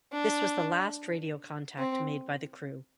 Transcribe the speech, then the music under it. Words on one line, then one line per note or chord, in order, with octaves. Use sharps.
This was the last radio contact made by the crew.
D4
C4